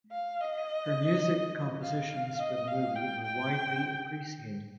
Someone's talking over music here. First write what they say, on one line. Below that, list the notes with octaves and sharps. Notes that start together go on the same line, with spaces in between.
Her music compositions for the movie were widely appreciated.
F5
D#5
F5
D#5
F5
G5
G5